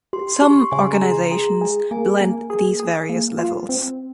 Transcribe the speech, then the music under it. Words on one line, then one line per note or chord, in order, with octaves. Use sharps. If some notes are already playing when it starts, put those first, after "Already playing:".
Some organisations blend these various levels.
G4 C6
C6
G4 C#6
C6
C#3 G#5
A#5
G#3
C6
G#4 A#5
G#4
A#3 G#5
A#3
G#4
G#4
A#3
F4
C4